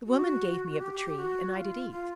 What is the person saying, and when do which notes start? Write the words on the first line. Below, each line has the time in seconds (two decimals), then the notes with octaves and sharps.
'The woman gave me of the tree, and I did eat....'
0.06 F#4
0.79 G4
0.92 G4
1.05 G4
1.16 F#4
1.54 F4
1.91 F4